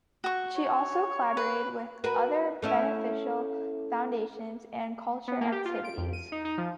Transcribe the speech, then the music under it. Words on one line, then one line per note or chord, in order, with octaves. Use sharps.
She also collaborates with other benefic foundations and cultural activities.
F#4 C#6
C#5
B4
F#4 A#4 B4
A3 C#4 E4
B3
A#3
G4
F4
D7
F2
D#7
D#4
D#4
F3